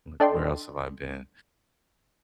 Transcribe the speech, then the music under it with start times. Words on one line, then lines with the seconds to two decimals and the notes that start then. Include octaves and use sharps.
like, where else have I been?
0.20 D4 A4 D5 D#5 G5 C6